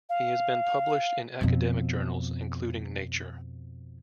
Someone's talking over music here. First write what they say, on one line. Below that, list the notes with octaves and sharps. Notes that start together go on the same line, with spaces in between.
He has been published in academic journals including "Nature".
F5
F2 B2